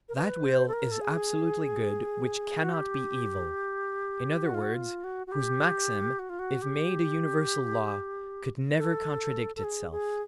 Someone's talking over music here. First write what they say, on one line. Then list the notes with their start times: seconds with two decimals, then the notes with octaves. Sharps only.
That will is absolutely good which cannot be evil- in other words, whose maxim, if made a universal law, could never contradict itself.
0.09 A#4
0.16 B4
0.44 C5
0.68 A4
0.73 A#4
0.91 A4
1.01 G#4
2.63 F#4
2.74 G4
4.46 F#4
4.54 F4
4.62 F#4
4.74 F4
5.04 F#4
5.27 F#4
5.32 G4
6.19 F#4
6.30 F4
6.39 F#4
6.62 G4
8.78 A4
9.56 A4
9.64 G#4
9.92 G#4